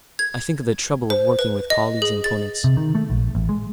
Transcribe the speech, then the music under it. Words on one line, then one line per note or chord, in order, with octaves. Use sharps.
I think of the trouble of working with colleagues and opponents.
G#6
C5
B4
D#5
G#4
A6
C3
D#3
A3
A#1
A1
G#3